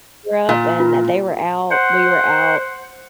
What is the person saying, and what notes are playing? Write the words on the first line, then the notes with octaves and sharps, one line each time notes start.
grew up and they were out we were out
A#2
F4
C5 F#5